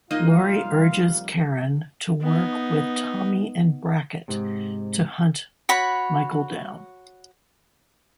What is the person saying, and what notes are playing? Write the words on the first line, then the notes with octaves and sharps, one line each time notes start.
Laurie urges Karen to work with Tommy and Brackett to hunt Michael down.
F1 G3 A#3 D#4 F4 D#5 F5
B3 D#4
G#2 C3
F#4 C#5 B5